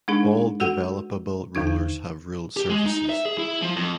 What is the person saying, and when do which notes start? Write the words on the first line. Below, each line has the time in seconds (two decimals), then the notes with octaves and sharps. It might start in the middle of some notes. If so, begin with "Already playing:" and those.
All developable rollers have ruled surfaces.
0.08 G#3 D4 D#4 G#4
0.60 F#4 A4 F#5
1.55 E2 D3 D#4 G#6
2.57 G4
2.70 G#3
2.86 D#4
3.09 E5
3.25 G#4
3.38 E4
3.62 F3
3.76 F2